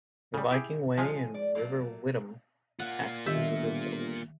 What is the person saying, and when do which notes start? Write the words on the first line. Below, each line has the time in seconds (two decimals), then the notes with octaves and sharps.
The Viking Way and River Witham pass through the village.
0.34 C#3 G3
0.51 E4 G4 G#4
0.98 F3 G#3 F4 G#5
1.34 D5
1.55 F#3 A3 A#3
2.79 A#3 F4 F#5
3.26 G1 D#3 G4 E5